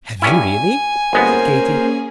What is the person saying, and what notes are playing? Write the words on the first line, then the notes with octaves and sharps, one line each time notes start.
"Have you, really?" said Katy.
G2 C#4 E4 G#5
G1 G#3 A#3 B3 C#4 G#4 A#4 C5